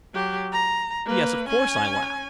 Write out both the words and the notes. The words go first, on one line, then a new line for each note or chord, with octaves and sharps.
"Yes, of course," I laughed.
F#3 G4
A#5
A#3 B4
C#4 G#5